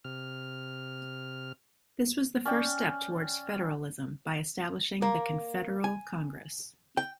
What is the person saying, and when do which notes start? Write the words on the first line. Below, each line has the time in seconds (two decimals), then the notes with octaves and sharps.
This was the first step towards federalism by establishing the confederal Congress.
0.04 C3 F6
2.45 C#4 D5 G5
5.02 A#3
5.84 G#5
6.97 G5